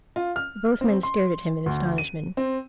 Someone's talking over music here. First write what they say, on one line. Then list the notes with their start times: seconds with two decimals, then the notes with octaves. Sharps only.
Both men stared at him in astonishment.
0.16 F4
0.36 F6
0.81 C4
1.03 C6
1.66 D2
1.98 D#7
2.37 C4